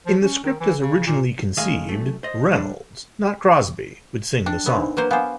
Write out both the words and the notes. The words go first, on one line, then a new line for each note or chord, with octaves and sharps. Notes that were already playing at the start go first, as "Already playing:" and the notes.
In the script as originally conceived, Reynolds, not Crosby, would sing the song.
F3
C#4
D#3
E3
C#3
A#2
A2 D#3 G#3 G#4 D#5 F5
F#2 A3
C5 D#5
G3 D4
D4 G5
B3 A#4 C5
D4 D#4
F#3 A#3 B4 C5
B3 C5 F5 F#5 G#5 D6